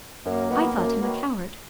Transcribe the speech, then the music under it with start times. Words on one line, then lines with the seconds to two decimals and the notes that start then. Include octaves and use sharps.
I thought him a coward.
0.25 F#2 A#3
0.50 D#3 F#3 B3
0.76 F#2
1.01 D#3 F#3 B3